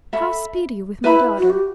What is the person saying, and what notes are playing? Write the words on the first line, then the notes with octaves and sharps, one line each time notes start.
"How speed you with my daughter?"
A4 E5 B5
E4 B4 E5 B5
F#4
G4